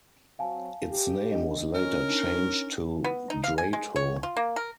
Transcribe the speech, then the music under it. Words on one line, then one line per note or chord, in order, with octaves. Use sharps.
Its name was later changed to Drayto.
F#3 C4 F5 G#5 A5
G4
D4 D#5
C#4 A#4
D4 D#4 G7
B3
D#4
F5
G#5
G#3
C#5
F4
A#3
A#4